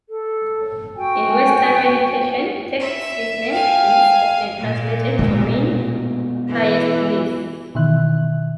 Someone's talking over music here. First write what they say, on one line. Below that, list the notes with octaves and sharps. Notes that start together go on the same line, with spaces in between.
In Western meditation texts his name is often translated to mean "Highest Bliss".
A4
F#4 G5 G#5
E5
F5 G5 G#5
A#2
B2 G#3 A3
E3
B2 D#3 E3 E5 F#6